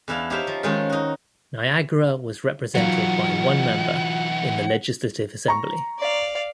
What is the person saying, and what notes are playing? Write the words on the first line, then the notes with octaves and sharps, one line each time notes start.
Niagara was represented by one member in the Legislative Assembly.
E2 D4 E4 F5 A5
D#4 G4 C5 C#5 E5 F5
F3
D#3 F3 G#3 C#4 D#4
D#4 F#4
E3 F#3 D#4 F4 F#5
A#5 C#6
D5 F5